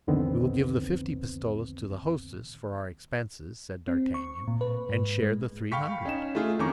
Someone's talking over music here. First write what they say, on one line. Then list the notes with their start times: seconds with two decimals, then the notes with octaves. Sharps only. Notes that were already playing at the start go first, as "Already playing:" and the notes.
"We will give the fifty pistoles to the hostess for our expenses," said D'Artagnan, "and share the three hundred."
0.07 C2 F2 D3 D#3 B3 C4
3.88 C4
4.14 C#6
4.48 A#2
4.61 B4
4.89 G#2
5.23 G#3
5.72 F5 G5 B5 C#6 B6
6.06 C#4 D#4 E7
6.35 A3 E4 F4 G#4
6.59 F2 D#3 C#4 A#5 C#6 D6